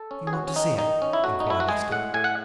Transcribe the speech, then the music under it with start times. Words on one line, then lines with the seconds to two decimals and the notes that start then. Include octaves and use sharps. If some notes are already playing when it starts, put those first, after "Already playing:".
"You want to see her?" inquired Esther.
Already playing: A4
0.11 C#4
0.27 G#4
0.33 C#4 F#4
0.47 C#4
0.56 D#3 D#4
0.79 D#3 D#4
1.02 C#4
1.13 E4
1.24 A3 F#4
1.40 D#4
1.47 A3 E4
1.60 F#4
1.68 G#3 G#4
1.92 A2 F#5
2.14 A2 G#5
2.24 F#5